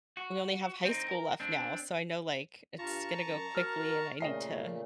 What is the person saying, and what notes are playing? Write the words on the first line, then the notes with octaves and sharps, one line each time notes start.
we only have high school left now, so I know, like, it's gonna go quickly and I need to
F#4
C4 D#4
A#4
C4 D4
G2 F4 A5 A#5 C#6
F#2
F#4 A#4 F6
A#2 C#3 A3 D#5 C7